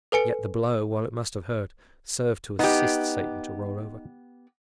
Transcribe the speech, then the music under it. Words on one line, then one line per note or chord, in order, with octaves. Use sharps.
Yet, the blow while it must have hurt, served to assist Satan to roll over.
A4 B4 G#5 C#7
B3 D#4 G4